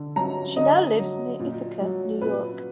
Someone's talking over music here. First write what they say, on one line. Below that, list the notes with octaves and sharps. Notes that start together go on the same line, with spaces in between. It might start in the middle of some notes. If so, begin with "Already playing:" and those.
She now lives near Ithaca, New York.
Already playing: D3
F#3 A#5
D3 D#5
F#3
A#2
F#3
A#2 B4